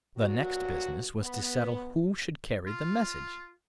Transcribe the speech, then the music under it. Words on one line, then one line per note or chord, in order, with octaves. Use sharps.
The next business was to settle who should carry the message.
G2 A#2 F#3 F#4
B3
F4